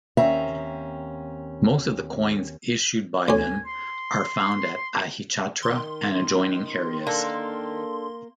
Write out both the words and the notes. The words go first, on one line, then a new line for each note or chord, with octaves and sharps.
Most of the coins issued by them are found at Ahichatra and adjoining areas.
D#2 C4 C#4 E5 A#5
D2 C#4 G#5
C6
D#3 C6
A#3 D4 A4